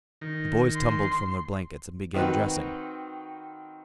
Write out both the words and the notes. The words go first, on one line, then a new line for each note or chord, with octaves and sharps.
The boys tumbled from their blankets and began dressing.
D#3
C6
D#3 C4 D#4 F#4 B4